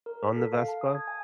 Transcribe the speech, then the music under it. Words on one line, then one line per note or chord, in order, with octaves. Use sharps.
on the Vespa,
A#4
B6
A4
F5
A5
D#6
G#6
G#5